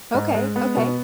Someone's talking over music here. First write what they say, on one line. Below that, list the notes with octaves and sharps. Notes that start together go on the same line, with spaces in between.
Okay, okay.
G#2
G#3
B3
B2